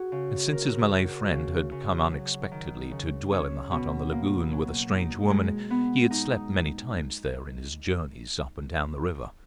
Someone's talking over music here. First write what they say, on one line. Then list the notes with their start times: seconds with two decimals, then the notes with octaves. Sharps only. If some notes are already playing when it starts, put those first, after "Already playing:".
And since his Malay friend had come unexpectedly to dwell in the hut on the lagoon with a strange woman, he had slept many times there, in his journeys up and down the river.
Already playing: F#4 G#4
0.12 C#3
0.52 A#4
0.92 F#4
1.32 C#3
1.72 C#3
2.11 F#3
2.52 D#3
2.91 C#3
3.31 C#4
3.71 B2
4.12 A#3
4.51 F#3
4.91 D#4
5.30 G#3
5.70 B3
6.11 D#4